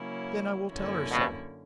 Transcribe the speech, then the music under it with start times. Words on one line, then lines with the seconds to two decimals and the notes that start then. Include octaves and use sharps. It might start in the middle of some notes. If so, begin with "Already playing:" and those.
"Then I will tell her so."
Already playing: C#3 F#3 A#3 C#4 E4
0.71 F#2 D3 A#3 C#4 E4
1.11 G2 B2